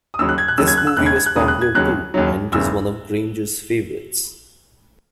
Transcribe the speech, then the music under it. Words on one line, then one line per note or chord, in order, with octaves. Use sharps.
This movie was popular too, and it is one of Granger's favourites.
D#6
D#2 C#3 F#3 E6
F#6
G#6
F#6
D#2 C#3 F#3 E6
G#6
F#6
E6
E1 D#2 C#3 F#6
G#6
G#6
F#6
E1 D#2 C#3 D#6
F#6
G#6
D#2 C#3 F#3 F#6
D#2 C#3 F#3
F#1 E2 C#3 E6